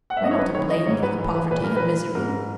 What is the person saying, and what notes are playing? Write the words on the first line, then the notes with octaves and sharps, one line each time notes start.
We're not to blame for the poverty and misery.
F#5
E5
F#2 D#5
C#5
B4
D#3 C#5
D#5
G#2 C#5
B4
E3
B4
A#2 B4
A#4
B4
G#2 A#4